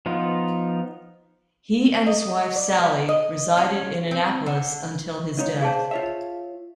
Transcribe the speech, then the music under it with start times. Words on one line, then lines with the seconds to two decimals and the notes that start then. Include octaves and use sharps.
He and his wife, Sally, resided in Annapolis until his death.
0.06 F3 B3 D#4 F4
2.06 D#5
2.56 D5
2.78 B3
3.09 D#5
3.57 C#4
4.11 C4
4.46 D3
5.37 C#2 D#4 C#5
5.61 G#4 C5 D5 F5 A5
5.91 F4 C#5 E5